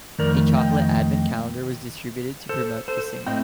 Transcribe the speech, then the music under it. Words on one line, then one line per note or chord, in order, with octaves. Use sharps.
A chocolate advent calendar was distributed to promote the single.
F2 D#3 A3 A#4 D5
D#5 G5
A4 C5
A4 C5
A2 A3 C4 D#5 G5